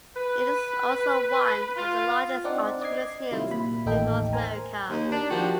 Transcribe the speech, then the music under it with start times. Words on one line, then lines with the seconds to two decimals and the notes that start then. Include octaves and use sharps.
It is also one of the largest art museums in North America.
0.16 B4
1.77 F4
2.44 C4 D4 D#4 D5 F#5
2.81 D5 D#5 D6 G#6 C7
3.31 C3 D#3 F#3 G3 E4 F4
3.51 A#2 B5
3.86 A1 D#2 A3 D#4 A4 G5
4.33 A#4 C5 G#5 A#5
4.90 D#2
5.12 D4
5.30 D#3 F3 F#4 G4